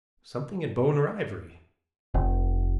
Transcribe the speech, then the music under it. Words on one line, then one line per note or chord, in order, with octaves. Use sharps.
"Something in bone or ivory."
F1